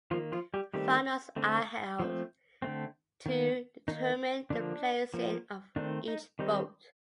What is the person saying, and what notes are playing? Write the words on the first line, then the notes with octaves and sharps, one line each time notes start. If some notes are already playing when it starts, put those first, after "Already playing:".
Finals are held to determine the placing of each boat.
D#3 F3 A#3 F4
F3 F4
G3 G4
D#3 G3 A3 C4 G4
D3 A3 C4
F3 A3 C4
D3 A3 C4
D#3 A#3
D#3 A#3 D#4
D3 F3 A#3 D4
F3 A#3
D#3 A3 C4 D4
D#4
D#3 G3 C4 D#4